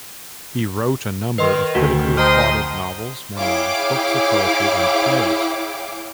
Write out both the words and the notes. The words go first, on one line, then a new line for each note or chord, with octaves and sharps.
He wrote a number of critically applauded novels, memoirs, books of poetry, and plays.
D#3 B4 D#5 C6
D2 F#4
C5 D#5 G5 A5 A#5 C6 D#6 F6
E4 G#4 C#5 F5 G5 D6